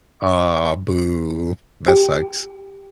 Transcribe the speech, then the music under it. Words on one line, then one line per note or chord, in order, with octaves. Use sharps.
Aw, boo. That sucks.
G4